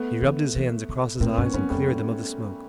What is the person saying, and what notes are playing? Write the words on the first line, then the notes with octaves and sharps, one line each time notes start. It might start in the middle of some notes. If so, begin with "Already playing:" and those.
He rubbed his hands across his eyes and cleared them of the smoke.
Already playing: A3 B3
E3
E3
D3
A2 A#3 C4
G2 B3 C#4
F#2 B3 C#4
F2 G3 A3